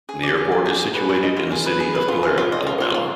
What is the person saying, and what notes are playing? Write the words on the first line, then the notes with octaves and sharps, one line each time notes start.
The airport is situated in the city of Calera, Alabama.
G#4
D5
G#4
D5
G#4
G#4
B4
G#4
D#5
F4
G#4
B4
G#4
B4
F4
G#4
F4
D#5
F4
F4
F4